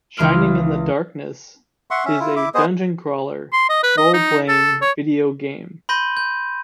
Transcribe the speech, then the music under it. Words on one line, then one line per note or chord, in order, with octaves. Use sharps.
"Shining in the Darkness" is a "dungeon-crawler" role-playing video game.
C#2 E3 C6 F6 D7
E5 F#5 C6 C#6
C#4 E5
E4 F4
E4 E5 D6
B3 G#4 C5 D#5
C6
D#5
B4
D#5
D#4
A4
C#5
B5 C6 G6 A#6 D#7
G6